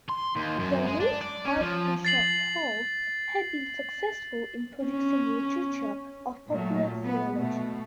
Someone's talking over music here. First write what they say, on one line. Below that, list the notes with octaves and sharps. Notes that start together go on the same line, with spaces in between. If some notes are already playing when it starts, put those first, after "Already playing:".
The late Archbishop Paul had been successful in producing literature of popular theology.
C6
D#2
F#2
G#3
D4
D5
C#4
F3
A6 C7 F#7
C#4
A#2 F#3 A3
B3
B2 A3